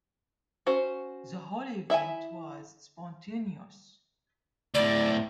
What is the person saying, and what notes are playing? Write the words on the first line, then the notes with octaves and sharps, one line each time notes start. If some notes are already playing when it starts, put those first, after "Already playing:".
The whole event was spontaneous.
C#4 F#4 C5
E4 E5 G5 G#5
D2 A2 D5